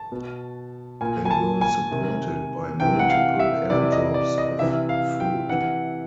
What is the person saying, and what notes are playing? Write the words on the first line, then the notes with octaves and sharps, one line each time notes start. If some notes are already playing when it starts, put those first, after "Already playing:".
They were supported by multiple air drops of food.
Already playing: A5
B2
A#2 G#5
G#5
A5
G#5
C3 D#3
C3 E3 G5
F#5
F5
E5
C3 E3 D5
D#5
D5
D#5
C3 E3 E5
F5
G5
C3 E3 F#5